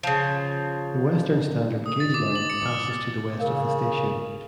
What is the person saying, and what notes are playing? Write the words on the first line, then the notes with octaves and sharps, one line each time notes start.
The Western standard gauge line passes to the west of the station.
C#3 F3
D#6
A6
D6
F#7
C#7
F6
C#3 A#4 F5